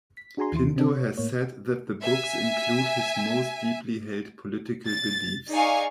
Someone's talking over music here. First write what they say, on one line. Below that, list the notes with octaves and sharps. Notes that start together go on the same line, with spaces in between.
Pinto has said that the books include his most deeply held political beliefs.
B6
D4 F#4 G#4 G#5 A#5 C6
D#2 E3 E4 C6
C3 C4 D4 A4
C#5
A2 A#3 C#5
E5 G#5
A6
D#4 G#4 D5 F5 G#5 C#6